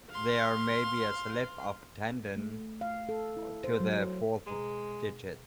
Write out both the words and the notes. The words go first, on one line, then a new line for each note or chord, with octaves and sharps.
There may be a slip of tendon to the fourth digit.
F5 C6
A3
F5
A4
E4
C5
F#3
B2 G#3 G#4 A#5